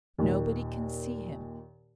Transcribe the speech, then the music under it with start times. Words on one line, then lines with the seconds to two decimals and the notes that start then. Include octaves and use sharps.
Nobody can see him.
0.19 D#2 A#2